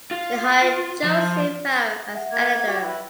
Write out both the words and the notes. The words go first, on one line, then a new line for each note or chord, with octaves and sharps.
They hired Joseph Farah as editor.
F4
F3
E5 F#5
A#3 G#6
F#4 G4
E4 B4 G5